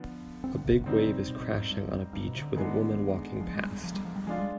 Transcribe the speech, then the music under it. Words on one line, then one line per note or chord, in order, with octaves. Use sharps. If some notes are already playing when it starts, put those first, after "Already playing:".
A big wave is crashing on a beach with a woman walking past.
Already playing: D3 F3 B3
C4
D3
C3
C3
D#3
D3 G3 C4 D#4
C3
B2
B2
G#2
G2
G2
B2
C3
D3
D3 D#3 G#3 B3 D#4
F3
G#3
G3
F3
G3
F3
G3
F3 G#3 D4 F4
G3